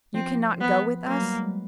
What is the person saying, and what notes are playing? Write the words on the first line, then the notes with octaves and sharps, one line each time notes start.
"You cannot go with us!"
F3 C4
B3
F#3 A#3
G3
G#3